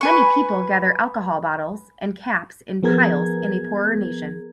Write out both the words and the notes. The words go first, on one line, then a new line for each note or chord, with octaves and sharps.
Many people gather alcohol bottles and caps in piles in a poorer nation.
B4 G#5 C#6
F3 B3 G#4 A#4 G#6